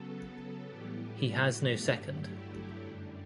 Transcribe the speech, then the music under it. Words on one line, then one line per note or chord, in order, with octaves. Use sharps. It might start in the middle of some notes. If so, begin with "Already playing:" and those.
He has no second.
Already playing: C#3 F#3 B3 A4
A2 E3 G3 B3 G4
F#4
G2 D3 F#3 A3 G4
E4
F#2 D3 G3